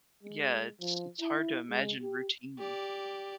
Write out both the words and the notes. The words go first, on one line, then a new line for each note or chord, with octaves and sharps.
Yeah. It's it's hard to imagine routine.
G#3
F3
E4
G#3
G4
G4 D5